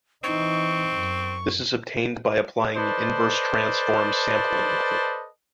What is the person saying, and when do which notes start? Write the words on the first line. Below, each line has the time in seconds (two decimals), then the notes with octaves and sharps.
This is obtained by applying the inverse transform sampling-method.
0.24 E3 C4 D#4 C#6
0.89 F#2
2.76 A4 B4 C5 D5 D#5 A5